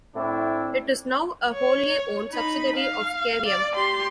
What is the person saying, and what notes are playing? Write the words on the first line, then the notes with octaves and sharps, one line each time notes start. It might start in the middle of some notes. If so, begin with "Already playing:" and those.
It is now a wholly owned subsidiary of Cavium.
A2 C4 D4 E4
C#5
D#4 B5
F5
D5
G4 C6